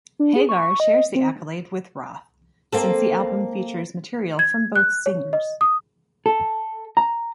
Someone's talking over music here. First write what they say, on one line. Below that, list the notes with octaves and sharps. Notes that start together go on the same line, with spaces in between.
Hagar shares the accolade with Roth, since the album features material from both singers.
D4
G#4
C#6
D#5
C4
A#3 C4 A4
G#6
F#6
C#5
D#5
D#6
A4
A#5